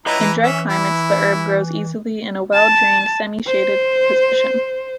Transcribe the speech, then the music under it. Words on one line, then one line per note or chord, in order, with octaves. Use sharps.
In dry climates the herb grows easily in a well-drained, semi-shaded position.
E4 G#4 B4 C#5 D#5 A#5
E3
C#4 E5
E4
A5
C5